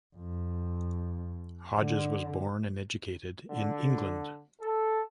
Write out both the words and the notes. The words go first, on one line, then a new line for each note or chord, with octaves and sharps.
Hodges was born and educated in England.
F2
D3
D3
A4